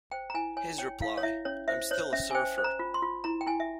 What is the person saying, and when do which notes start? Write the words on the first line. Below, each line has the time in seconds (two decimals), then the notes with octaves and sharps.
His reply: I'm still a surfer.
0.12 C5 G5
0.30 A#5
0.34 E4 G#5
0.57 C#5 G#5
0.78 C#5 G5
1.01 E4 F5
1.18 C#5
1.23 E4 E5
1.45 C#4 C#5
1.68 C5 E5
1.91 C5 C#5
2.13 C#4 E5
2.31 G#5
2.35 C5 G5
2.58 C5
2.64 A#5
2.79 F4
2.94 C6
3.02 F4
3.24 E4 A#5
3.41 G5
3.46 E4 G#5
3.60 E5